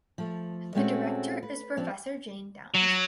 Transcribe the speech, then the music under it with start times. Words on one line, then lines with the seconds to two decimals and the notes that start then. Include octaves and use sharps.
The director is Professor Jane Downes.
0.18 F3 A3
0.75 A#2 G#3 A3 C4 C#4 F#4
1.43 B4
1.77 F3 C4 D4
2.74 F#3